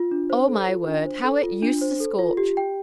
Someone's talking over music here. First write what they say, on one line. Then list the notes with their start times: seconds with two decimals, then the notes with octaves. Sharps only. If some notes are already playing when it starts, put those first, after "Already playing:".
Oh, my word, how it used to scorch!
Already playing: F4
0.11 D4
0.30 C5
0.49 A4
0.68 F4
0.87 D4
1.05 C5
1.24 A4
1.43 F4
1.62 D4
1.81 C5
2.00 A4
2.19 F4
2.37 G4
2.57 G5